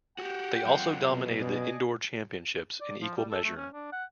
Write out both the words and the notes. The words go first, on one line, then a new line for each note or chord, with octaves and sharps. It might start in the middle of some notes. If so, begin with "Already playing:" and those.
They also dominated the indoor championships in equal measure.
F#4 G4 F#5 G5
F#2 F4
B2
B2 G#4 D5 D#5
D5
F3
G3
A4
A3
C#4
D4
F#5